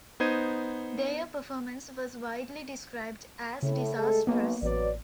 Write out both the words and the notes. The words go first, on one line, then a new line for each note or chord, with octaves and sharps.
Their performance was widely described as disastrous.
B3 D#4 C5 G#6 D#7
A2 C#3
G#3 A3 A4
B1 A#3 B3
A1 F#3 B4 D5